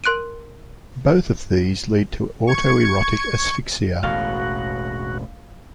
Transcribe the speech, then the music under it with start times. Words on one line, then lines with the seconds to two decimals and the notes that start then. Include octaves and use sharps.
Both of these lead to autoerotic asphyxia.
0.04 A#4 C6 F#6 D7 D#7
2.47 C#6 G#6 C#7
4.03 E1 A1 A2 F#4 F5